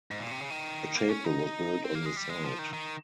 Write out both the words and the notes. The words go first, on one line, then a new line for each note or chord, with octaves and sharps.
A chapel was built on the site.
G#2
A#2
C3
C#3
D#3
A#3
C#4
D#4
C4
A#3
G#3
G3
G#3
F3
D#3
D#3